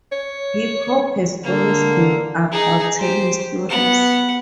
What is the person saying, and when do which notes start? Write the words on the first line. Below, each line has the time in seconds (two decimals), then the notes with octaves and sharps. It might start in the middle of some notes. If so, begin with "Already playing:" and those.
Hip hop has always been about telling stories.
0.12 C#5
1.44 D3 A#3
2.52 D#4 G#4
2.99 G4 C5
3.70 B3 F#5